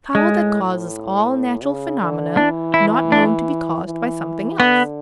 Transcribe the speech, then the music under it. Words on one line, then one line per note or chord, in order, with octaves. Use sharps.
The power that causes all natural phenomena not known to be caused by something else.
A2 G#3
C#3
D3
E3 D4
E4
D4
E3
D3 B3